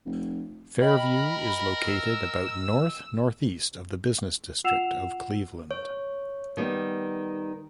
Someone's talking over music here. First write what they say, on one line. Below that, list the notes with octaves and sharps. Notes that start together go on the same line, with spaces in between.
Fairview is located about north northeast of the business district of Cleveland.
F1
A#4 D#5 G5 B5 F#7
E6
F4 F#5 E6 C7 E7 F7
C#5
D#3 G3 B3